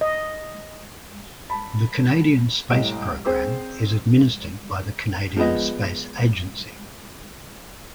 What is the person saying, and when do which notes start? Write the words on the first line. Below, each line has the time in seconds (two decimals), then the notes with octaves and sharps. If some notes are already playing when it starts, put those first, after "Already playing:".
The Canadian Space Program is administered by the Canadian Space Agency.
0.01 D#5
1.50 A5 B5
2.70 C2 A2 D#5 D7
3.26 C4 G#4 C5
5.36 F3 G#3 B3 D#5